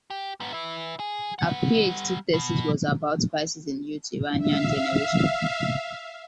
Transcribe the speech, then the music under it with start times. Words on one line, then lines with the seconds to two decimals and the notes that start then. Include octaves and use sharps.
Her PhD thesis was about crisis in youth Iranian generation.
0.10 G4
0.40 G#2 B3
0.53 B4 E5
0.99 G#4
1.39 G3 F#5
2.34 B2
4.38 E5 F5